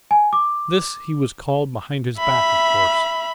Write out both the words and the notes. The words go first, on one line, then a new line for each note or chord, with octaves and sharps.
This he was called behind his back, of course.
G#5
D6
E5 B5